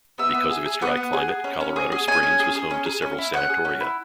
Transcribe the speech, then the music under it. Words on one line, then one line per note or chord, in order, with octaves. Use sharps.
Because of its dry climate, Colorado Springs was home to several sanatoria.
B3 E5
B3
G#4
G#4
B3 F#5
B3
G#4
G#4
C#4
C#4
G#4
G#4
C#4 G#5
C#4
G#4
G#4
C#4
G#4
C#4
E4
C#4 F#5
G#4
C#4
E4